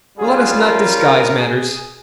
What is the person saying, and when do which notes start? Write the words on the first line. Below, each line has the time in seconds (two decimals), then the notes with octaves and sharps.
Let us not disguise matters.
0.18 G3 C#4 F4 G#4
0.58 A#4
0.98 A#4
1.39 G#4